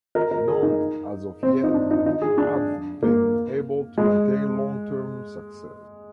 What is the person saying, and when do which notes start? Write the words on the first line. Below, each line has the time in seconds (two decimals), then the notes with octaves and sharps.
None as of yet have been able to maintain long-term success.
0.15 A#4
0.31 A#4
0.48 G#4
0.63 D#4
1.43 C4
1.63 D#4
1.74 D4
1.91 D#4
2.06 D#4
2.22 G#4
2.38 D4
3.03 A#3
3.98 G#3